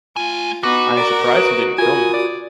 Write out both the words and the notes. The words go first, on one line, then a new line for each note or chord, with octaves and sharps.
I am surprised you didn’t kill me.
A3 F4 G#5
B3 D#4 F#4 D6
A#4 D5 A#5
B4 D#6 D7
F4 A#4 G#5 D#6
D5